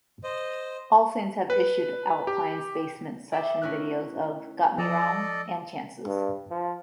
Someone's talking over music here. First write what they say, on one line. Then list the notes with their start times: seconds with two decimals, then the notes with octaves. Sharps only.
All Saints have issued Alpines Basement session videos of "Got Me Wrong" and "Chances".
0.24 C5 D#5
1.50 B4
2.27 G4
3.32 G#4 D5 E5 G5
3.62 A3 C#4 E4 A#4 F#6
4.78 F3 A4 D5 D#5
6.07 G2
6.51 F3